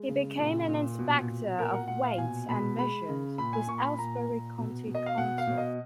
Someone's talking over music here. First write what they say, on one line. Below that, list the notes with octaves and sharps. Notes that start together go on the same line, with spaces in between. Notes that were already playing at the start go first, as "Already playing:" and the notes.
He became an inspector of weights and measures with Aylesbury County Council.
Already playing: G#3
C#3
A#2
A#2
B2
B2
A#2 A#4
F#5
A#2 F#5
F5
B2 G#5
B2 B5
G#3 B5
C#3
A#2 B5
G#5
A#2 C#6
B5
A#2 A#5
A#2
B2
B2
D#5
F5
B2 F#5
F5
B2
D#5